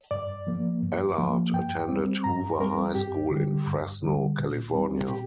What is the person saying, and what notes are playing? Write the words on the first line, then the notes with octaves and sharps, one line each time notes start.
Ellard attended Hoover High School in Fresno, California.
G2 D5
F3 A#3
G2
F3 A#3
G2 G5
G3 C4
G2 A#5
G3 C4 A#4
G2 G4
D3
G3
G2
D3 G3
A#2
G3 C4
A#2 G4